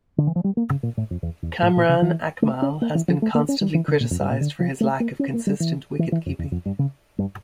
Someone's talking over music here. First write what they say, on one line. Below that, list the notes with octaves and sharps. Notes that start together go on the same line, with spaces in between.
Kamran Akmal has been constantly criticized for his lack of consistent wicket-keeping.
D3
E3
F3
G3
A#3
C#3
A#2
A2
F2
E2
E2
A2
A#2
C#3
E3
A3
C#4
A#3
E3
F3
A3
A#3
C#4
G3
E3
D3
A#2
F2
G2
A#2
D3
F3
A3
A#3
C#4
A#3
G3
E3
E3
E3
F2
E2
F2
G2
C#3
G2